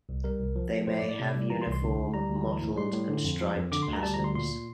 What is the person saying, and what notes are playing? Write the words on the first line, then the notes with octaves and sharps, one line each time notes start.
They may have uniform, mottled, and striped patterns.
C2
G3 A#4
C2
F3
F3
A2 C5
D5
A2
D5
C3
G3
E3 A#5
C6
C2
C6
D3
D2
G3 A#5
D2
E3
A2
G3 C6
A2
D3
F2
F3
F2
D3 D6
C6
D2 A#5
G3 A5
A#5
D2
C6
A#2 C6